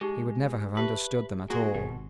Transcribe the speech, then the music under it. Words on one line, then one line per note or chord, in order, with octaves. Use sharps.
He would never have understood them at all.
G#3 D#4 G4 G#4
G4 B4 E5 A5
A#3 F#4 G#4 A#5 C6 C#6
G#1 B2